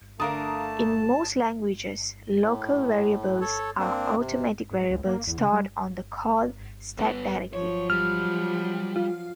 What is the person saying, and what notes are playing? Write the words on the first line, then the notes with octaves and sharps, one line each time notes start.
In most languages, local variables are automatic variables stored on the call stack directly.
D3 A3 D4 A#4 F5 A5 A#5 D#6
A2
A4 C#5
A#3 C4 D4
C3
G#2
C#2
A#3
E2
C#3
G3
G2 B3
F3 F#3 C#5
G3 F6
F4